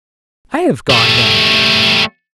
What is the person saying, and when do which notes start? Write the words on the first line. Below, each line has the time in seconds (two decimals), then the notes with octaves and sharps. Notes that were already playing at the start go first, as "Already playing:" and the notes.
I have gone mad....
0.90 G3 A3